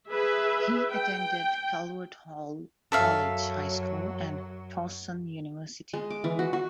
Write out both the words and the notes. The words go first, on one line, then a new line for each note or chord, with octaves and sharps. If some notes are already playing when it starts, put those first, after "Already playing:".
He attended Calvert Hall College High School and Towson University.
G#4 B4 E5
G5
F#2 F#3 A4 E5 F5
G#3
D6
E3
F#4
F#4